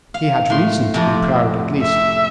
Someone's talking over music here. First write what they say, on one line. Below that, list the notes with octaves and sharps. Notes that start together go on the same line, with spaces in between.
He had reason to be proud, at least.
F5
A2 C6
F2 C3
E5